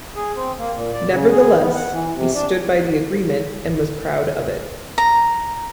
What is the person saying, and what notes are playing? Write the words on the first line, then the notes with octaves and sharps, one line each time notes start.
Nevertheless, he stood by the agreement and was proud of it.
G#4
C4
A#3
A#2
D5
C#3
G#4
B3
F#5
E3
C3
D4
A#5